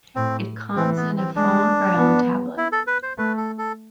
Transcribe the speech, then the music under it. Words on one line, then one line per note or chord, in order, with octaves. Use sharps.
It comes in a fawn brown tablet.
A2 C4
E3 C4
B3
C4
G#3 D4
B3
E4
A4
B4
C5
A3 B4
A4
A4